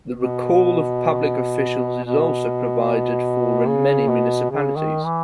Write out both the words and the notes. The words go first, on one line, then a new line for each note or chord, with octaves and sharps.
The recall of public officials is also provided for in many municipalities.
B2
B2
C#3
B2
C#3
D#3
E3